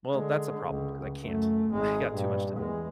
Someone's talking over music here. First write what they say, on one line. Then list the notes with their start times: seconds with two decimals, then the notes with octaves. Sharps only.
Well, that's a problem 'cause I can't. I got too much to do.
0.11 D3 G#3
0.68 C#2
1.22 F#2 A3
1.70 G#1 G#3
2.13 G2 A#2
2.57 E2 G#3